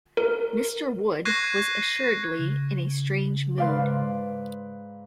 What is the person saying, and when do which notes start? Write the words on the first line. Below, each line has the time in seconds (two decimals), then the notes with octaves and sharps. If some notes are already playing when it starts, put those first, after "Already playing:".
Mr. Wood was assuredly in a strange mood.
0.17 A#4
1.25 C#6 F#6 G#6 A#6 C7 D#7
2.39 C#3
3.58 G#2 B4 D5 F5 C6